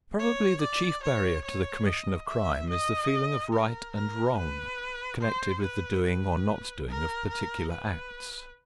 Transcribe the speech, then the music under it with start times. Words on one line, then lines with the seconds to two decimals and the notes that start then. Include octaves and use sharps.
Probably the chief barrier to the commission of crime is the feeling of right and wrong connected with the doing or not doing of particular acts.
0.19 C#5
0.61 D5
1.03 C#5
1.45 C#5
1.86 D#5
2.28 E5
2.69 D#5
3.53 A#4
3.95 A#4
4.37 B4
5.20 C5
5.62 B4
6.04 B4
6.88 A#4
7.29 A#4
7.71 B4